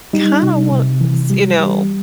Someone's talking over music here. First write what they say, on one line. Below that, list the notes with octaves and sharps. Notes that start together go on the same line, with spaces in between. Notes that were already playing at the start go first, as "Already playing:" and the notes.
kinda wanna s you know,
G3 D#4
C3
C3
E3
G3
G3